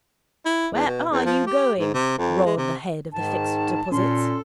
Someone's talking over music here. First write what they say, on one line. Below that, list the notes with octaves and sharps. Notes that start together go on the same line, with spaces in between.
'Where are you going,' roared the head of the Fixed Deposits.
E4
E2
B2
E2
F3
G4
G#2
C3
F2
G#3
C3
G#2 D#3 A5
A#2 C#4 A4 C6